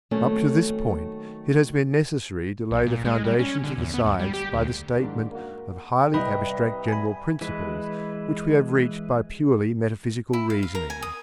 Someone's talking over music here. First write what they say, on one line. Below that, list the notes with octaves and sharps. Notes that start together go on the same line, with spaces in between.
Up to this point it has been necessary to lay the foundations of the science by the statement of highly abstract general principles which we have reached by purely metaphysical reasoning.
D#3 F#3 A3 A#3 C4 C#4
B1
A#2
G#3
G3
C#4
D3
E2
B3
D2
G3
G4
D2
G#2 D#3 D4
A#3 F#4
G5
C2 B4 D#5 G5 B5
G#5 B5
E3 G#3 B4
E4
F5
F5
A#4
G#5
D#6